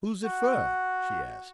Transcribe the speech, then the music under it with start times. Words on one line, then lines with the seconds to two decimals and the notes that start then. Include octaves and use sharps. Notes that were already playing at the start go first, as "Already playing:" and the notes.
"Who's it fur?" she asked.
0.24 F#4